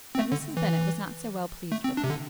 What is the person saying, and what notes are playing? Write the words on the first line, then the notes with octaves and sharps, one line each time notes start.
But Mrs. Bennet was not so well pleased with it.
C4
A3
D3
E3
A3
C4
D4
C3
D3